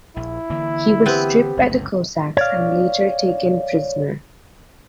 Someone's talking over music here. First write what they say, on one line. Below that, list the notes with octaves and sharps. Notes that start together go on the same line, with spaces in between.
He was stripped by the Cossacks and later taken prisoner.
A#1 E4
D3 E3 A#3
B3 C4 G4
G1 C#2 G2
C#5 D5 F5